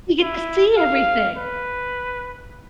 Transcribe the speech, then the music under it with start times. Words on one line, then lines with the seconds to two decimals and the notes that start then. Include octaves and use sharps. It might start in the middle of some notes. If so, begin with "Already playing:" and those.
You get to see everything.
0.22 E4
0.77 F5
1.37 B4